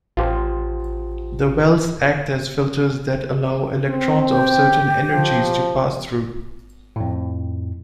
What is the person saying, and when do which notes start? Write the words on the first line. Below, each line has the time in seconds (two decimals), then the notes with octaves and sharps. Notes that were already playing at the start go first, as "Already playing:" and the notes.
The wells act as filters that allow electrons of certain energies to pass through.
0.17 A1 F4 G4 C5
3.89 C4
4.30 G4
5.13 F3
6.96 F2 A2